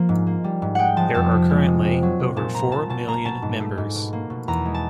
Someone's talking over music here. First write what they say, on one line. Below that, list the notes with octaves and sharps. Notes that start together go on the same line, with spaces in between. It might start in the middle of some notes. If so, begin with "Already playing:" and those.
There are currently over four million members.
Already playing: F3 A#3
G#2
A#3
G3
G#2
G#3 F#5 G5
F3 A5
F2 A5
C3
G#3
C3
C3
F#3
C3
A#2 A5
A#3 A#5
A#2 A5
B2 A5
A#3 A#5
B2 A5
G#2
A3
G#2
B2
A#3
B2
E2 A#5
G#3
A5